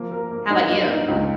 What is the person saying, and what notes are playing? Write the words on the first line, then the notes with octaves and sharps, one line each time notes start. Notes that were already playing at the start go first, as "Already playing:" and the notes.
How 'bout you?
Already playing: F3 A#3
A#4
A#3
D#4
A#3
D#4
C#2